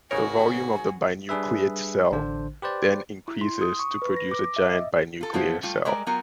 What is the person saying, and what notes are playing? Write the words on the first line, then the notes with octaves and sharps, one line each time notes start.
The volume of the binucleate cell then increases to produce a giant binuclear cell.
G#1 C#3 F#4 A#4 C#5 G#5
G3 D4 G#4 B4 E5
A1 D3 D4 C5
G4 B4 C5 D5
E4
C6
D#6
C#6
B4
A#6
D6
D6
E5
D#5
F4 A4
F3 B3 E4 C5
G3 A3 F4
G3 G#3 A#4 D5
F#3 B3 F4 G4 A#4